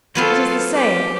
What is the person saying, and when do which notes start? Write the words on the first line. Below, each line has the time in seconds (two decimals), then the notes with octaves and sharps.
"It is the same."
0.15 F#3 B3 C4 F4 A4
0.74 G4